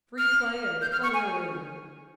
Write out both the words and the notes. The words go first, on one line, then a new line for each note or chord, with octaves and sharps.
"Free play and plenty of room."
F6
G6
F6
C#6
G#5